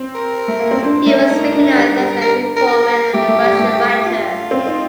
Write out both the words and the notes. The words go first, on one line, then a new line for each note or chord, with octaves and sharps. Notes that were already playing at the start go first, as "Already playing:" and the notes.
He was recognized as a reformer and a Russian writer.
Already playing: C4
A#4
A3
A#3
C4
D4 C5
A3 A#4
A4
D#4 A#4
D4
G3
G3
A#4
A#4
A#4
A3 G4
A3
G3
A3
F4
C4
D#4